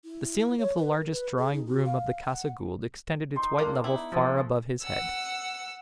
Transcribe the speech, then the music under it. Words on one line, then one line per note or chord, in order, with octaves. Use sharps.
The ceiling of the largest drawing-room of the Casa Gould extended its white level far above his head.
E4
C#5
B4
A#4
B4
G#4
D#4
F#4
F5
F#5
D#4 C6
G#3 A#3 D4
B3 D#4 E4
F3 A3 G#4 E6
F#5 E6